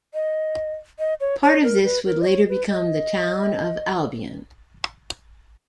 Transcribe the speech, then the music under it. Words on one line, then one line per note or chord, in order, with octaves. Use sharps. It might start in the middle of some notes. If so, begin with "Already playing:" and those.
Part of this would later become the Town of Albion.
D#5
D#5
C#5
C#5
A#4
B4
A#4
D#5
C#5
B4
D#5